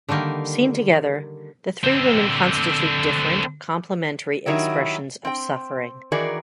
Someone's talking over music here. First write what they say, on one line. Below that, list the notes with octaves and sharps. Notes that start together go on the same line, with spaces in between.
Seen together, the three women constitute different, complementary expressions of suffering.
D3 D#3 G3 A#3
D3 C4
D#3 F#3 E4 G4
C4 G5
D#3 E3 F#4 G#4 A#4 D5